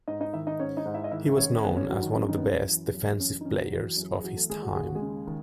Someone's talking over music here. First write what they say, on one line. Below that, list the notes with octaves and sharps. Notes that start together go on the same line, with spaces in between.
He was known as one of the best defensive players of his time.
G#2 D#4 D#5
D#4 D#5
D#3 E4 E5
D#4 D#5
G#2 C#4 C#5
D#4 D#5
G#2
E4 E5
D#5
D#3 E4 E5
D#3 C#4 C#5
F#2 B3 B4
C#4 C#5
F#2 F#3 F#4
D#3 D#4
F#2 C#4
D#3 D#4
B3
F#2 C#4
E3
F#2
E3 C#4
D#4
E3 C#4
F#3 F#4
E3
F#2
G#4
E3 F#3 F#4
A3 A4
D#2 G#3 G#4
F#3 F#4
D#2 G#4
F#4
G#3 G#4
C#3
D#3